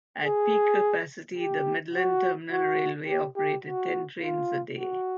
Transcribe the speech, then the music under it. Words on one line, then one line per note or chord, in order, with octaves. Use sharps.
At peak capacity, the Midland Terminal Railway operated ten trains a day.
G#4
G4
F#4
F#4
G4
G4
F#4
F4
F#4